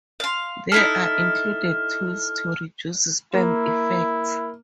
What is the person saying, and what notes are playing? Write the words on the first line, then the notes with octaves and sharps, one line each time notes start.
There are included tools to reduce spam effects.
F5 C6
D#4 E4 A4 F6
A#3 E4